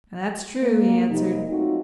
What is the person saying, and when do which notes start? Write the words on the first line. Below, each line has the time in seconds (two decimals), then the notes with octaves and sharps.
"That's true," he answered.
0.62 A#3
1.09 F2 C3 G3 A#3 D#4
1.49 F#3 A3 C4 D#4 F4 F#4